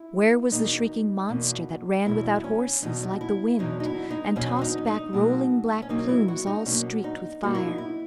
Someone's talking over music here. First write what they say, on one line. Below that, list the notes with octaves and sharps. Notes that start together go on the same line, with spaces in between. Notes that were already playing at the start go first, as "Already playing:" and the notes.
Where was the shrieking monster that ran without horses like the wind and tossed back rolling black plumes all streaked with fire?
Already playing: E4
E2 B2 A#3 D#4
E2 B2 A#3
E2 B2 F#3 E4
C#4
E2 B2 F#3 D#4
E4
E2 B2 F#3 D#4
D#4
E4
D#4
E2 B2 F#3 C#4
D#4
D#4
B2 F#3 A#3
C#4
B2 F#3 A#3 D#4
E4
F#4
D#4
B2 F#3 A#3 C#4
D#4
B2 F#3 A#3 F#4
E4
D#4
E4